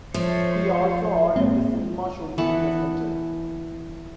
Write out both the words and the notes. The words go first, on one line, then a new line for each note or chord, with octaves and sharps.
He also ordered a cinema show to be presented.
F3 A3 C5 C#5
G#2 G#3 A#3 C4
E3 B3 A4 F#5